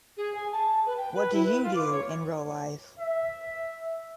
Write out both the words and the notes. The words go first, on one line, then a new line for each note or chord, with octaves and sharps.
What do you do in real life?
G#4
G#5
A5
A5
B4
G5
B4
E4
B4
F4
D6
C#5
E5